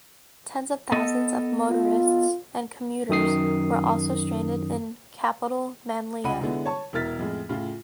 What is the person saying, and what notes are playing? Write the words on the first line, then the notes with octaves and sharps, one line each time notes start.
Tens of thousands of motorists and commuters were also stranded in capital Manila.
B3 A4 D#5
F4
F#2 D#3 D#6 C7
C#2 C#4 F#5 B5 D#7
D3 G#3 B3 E4
C#5 A5 C#6
E1 E4 A#4 F6 A6 B6
F2 A2 G#3
A2 C#3 F4